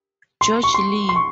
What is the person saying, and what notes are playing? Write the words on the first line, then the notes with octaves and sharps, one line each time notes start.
George Lee.
C6
C#6
C6
C6
C#6